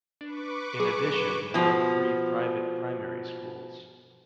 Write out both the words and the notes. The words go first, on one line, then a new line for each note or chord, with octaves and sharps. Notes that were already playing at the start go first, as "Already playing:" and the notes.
In addition there are three private primary schools.
D4 B4 C#6 D6
F#3 F#4 G#4
B2 F3